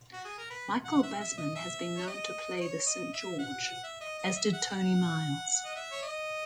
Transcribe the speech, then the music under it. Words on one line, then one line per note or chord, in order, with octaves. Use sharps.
Michael Basman has been known to play the Saint George, as did Tony Miles.
F#4
G#4
A#4
B4
F#5
E5
E5
D#5
E5
C#5
D#5
D#5
C#5
D#5
E5
F#5
F#5
E5
D#5
D#5
E5
F#5
F#5
D#5
E5
C#5
D#5